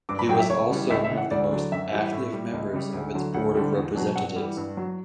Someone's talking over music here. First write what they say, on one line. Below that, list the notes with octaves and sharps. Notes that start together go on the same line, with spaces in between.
He was also one of the most active members of its board of representatives.
G2 D6
B5
F#3 G5
E5
C#2 C#5
C#3 E3 G3
C#2 E5
E5
C#3 E3
F#5
D2 D5
D3 F#3
F#2 E5
E3 G3
A2
G3
C#2
C#3 G3
D2
D3 F#3
D2 F#5
D3 G3
E2
B2 F#3
G2 F#5
E3 G3
G2
F#3